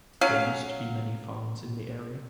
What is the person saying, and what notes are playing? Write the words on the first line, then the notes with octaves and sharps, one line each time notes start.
There used to be many farms in the area.
F#3 C#4 F5